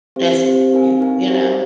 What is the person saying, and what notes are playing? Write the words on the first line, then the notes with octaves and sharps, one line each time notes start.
that's y you know?
C4 G4 C5 F5
C4 G4 C5 F5
C4 D#4 A#4 F5 G#5
C4 D#4 A#4 F5 G#5
G4 C5 F5 G#5